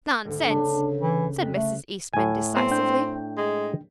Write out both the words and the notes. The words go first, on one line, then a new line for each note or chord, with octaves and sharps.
"Nonsense!" said Mrs. Eastman decisively.
G#1 D2
D2 C#3 A#3 D4
E3
F2 F#6 B6
A3
D2 A2 G#5
B3 C4
D4 G5 G6
G#3